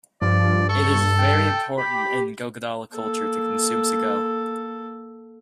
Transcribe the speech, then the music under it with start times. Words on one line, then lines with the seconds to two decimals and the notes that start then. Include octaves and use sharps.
It is very important in Gogodala culture to consume sago.
0.22 G2 F3 D5
0.69 A4 C#6
1.19 G5
1.78 G4 B5
2.94 A#3 A4